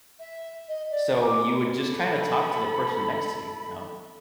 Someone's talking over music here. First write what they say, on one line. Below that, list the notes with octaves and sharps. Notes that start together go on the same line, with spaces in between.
so you would just kinda talk to the person next to you, you know?
E5
D#5
D5
D6
A4 B5